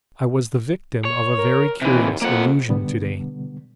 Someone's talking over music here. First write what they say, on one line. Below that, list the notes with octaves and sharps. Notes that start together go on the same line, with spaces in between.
I was the victim of a very curious illusion to-day.
C#5
A#4
D#2 C3 E3
F2 A#3 F#5
B2 D3 G3 B3